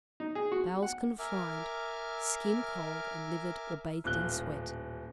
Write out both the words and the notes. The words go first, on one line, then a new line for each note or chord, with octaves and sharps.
Bowels confined, skin cold and livid or bathed in sweat.
D#4
G#4
F#4
F#5
A#4 E5 G#5 D6 F6
D#1 A1 A#2 F#6 G7